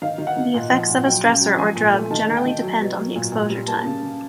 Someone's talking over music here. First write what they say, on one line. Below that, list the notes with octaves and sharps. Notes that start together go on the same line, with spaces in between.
The effects of a stressor or drug generally depend on the exposure time.
D#3 F5
D#3
F#5
D#3
A#2
F3
A#2
F#3 G5
C#3
F#3
F3 G#5
A#2
A3
D#3 A5
D#3
G5
D#3
F#3
B2
F#3
A#2
A#2
G3
A#3 A5
C#3
C#3